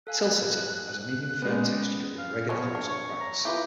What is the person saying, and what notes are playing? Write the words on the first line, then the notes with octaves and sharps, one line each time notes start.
Tilsiter has a medium-firm texture with irregular holes or cracks.
A4 F5 G#5 F#6
G#3 B3 C#4 G4
F5
F3 F#3 B3 C#5
D4
C#6
A#5
E4 F4 G4 B4